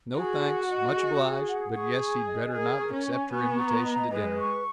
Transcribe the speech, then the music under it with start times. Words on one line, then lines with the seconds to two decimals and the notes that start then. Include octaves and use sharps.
No thanks; much obliged, but guessed he'd better not accept her invitation to dinner.
0.16 F#4 G#4
0.42 F#5
0.69 D#5
0.95 G#4
1.21 G#4
1.47 F#5
1.74 G#4 C#6
2.01 G#5
2.27 D#5
2.53 G#4 A#4
2.79 C#6
2.92 C#4
3.06 G#5
3.32 B3 C#6
3.59 A#5
3.85 D#5
4.11 G#3 B4
4.37 C#6